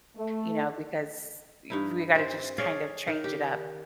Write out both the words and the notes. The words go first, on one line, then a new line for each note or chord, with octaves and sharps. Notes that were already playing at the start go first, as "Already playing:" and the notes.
you know, because, e we gotta just kind of change it up,
A3
G2 D#4 E4
C4 C5
G#4 C#5 D5 F5
D#3
G4